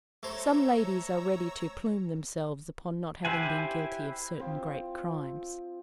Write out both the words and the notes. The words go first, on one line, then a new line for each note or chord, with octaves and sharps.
Some ladies are ready to plume themselves upon not having been guilty of certain great crimes.
A3 C5 C#5 A#5 E6
E4 G4 C5 F#5 G#5
F3 C4